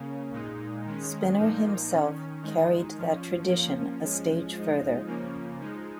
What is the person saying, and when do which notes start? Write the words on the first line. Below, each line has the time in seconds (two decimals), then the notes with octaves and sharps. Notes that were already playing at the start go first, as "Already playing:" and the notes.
Spinner himself carried that tradition a stage further.
Already playing: C#3 A#3 C#4
0.32 A#2 G#3 D#4
0.85 D#3 G#3 C#4
1.37 A#2 F3 A#3 D#4
1.91 D#3 C#4
2.43 D#3 G#3 D#4
2.97 F3 C#4
3.49 F3 A#3 C#4
4.02 F3 G#3 C#4
4.54 F3 G#3 D#4
5.06 C#3 F3 A#3 C#4
5.60 F3 G#3 D#4